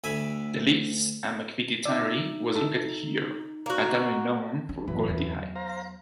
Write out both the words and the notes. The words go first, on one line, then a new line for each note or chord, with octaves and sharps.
The Leas and McVitty Tannery was located here, a tannery known for quality hides.
D2 E5 G#5 B5
D#4 D5 E5
A4
A#3 F#4
C#4
A1 F#2 E3 A#3 B4
E2 F#3
C5 F5 A#5